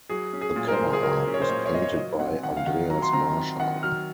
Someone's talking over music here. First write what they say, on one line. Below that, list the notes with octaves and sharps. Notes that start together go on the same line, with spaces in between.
The cover art was painted by Andreas Marschall.
F#3 G#4
C#4
G#4
A#2
A#4
C5
A#2
G#4
F#3 A#4
C#4
C#5
C5
A#2 C#5
C#5
A#2 D#5
C#5
F#3 D#5
C4 F#5
D#3 F#5
F5
D#3 F#5
F#3 A#5
C6
C4 A#5
D#3
D#3 F#5
F#3 F6